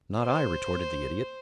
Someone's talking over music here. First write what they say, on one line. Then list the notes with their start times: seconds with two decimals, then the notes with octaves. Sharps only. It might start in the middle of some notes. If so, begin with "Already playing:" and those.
"Not I," retorted the Idiot.
0.22 C5